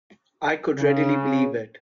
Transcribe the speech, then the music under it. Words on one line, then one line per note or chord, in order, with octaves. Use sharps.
I could readily believe it.
C#3